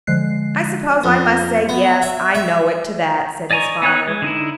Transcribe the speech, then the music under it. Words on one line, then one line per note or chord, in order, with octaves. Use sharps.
"I suppose I must say 'yes, I know it' to that," said his father.
D3 F3 G#3 F#6 C7
F2
B3
E5
E5
D5 D#5 G#5 A#5 C#6
B3 D#4 C#5 F#6
G#3
D3 D#4 E4